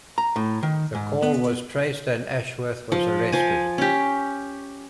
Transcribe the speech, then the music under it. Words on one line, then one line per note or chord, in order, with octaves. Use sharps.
The call was traced and Ashworth was arrested.
A#5
A2
D#3
G#2
B3
F3
F3 G#5
C#4 G4